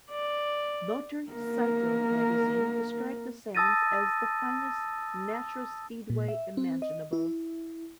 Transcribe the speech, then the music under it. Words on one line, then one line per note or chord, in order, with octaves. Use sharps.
"Motor Cycle" magazine described the sands as "the finest natural speedway imaginable".
D5
A#3 A#4
A5 D#6 E6 A6 A#6 D#7
A#2
E5
C4
D#5
E4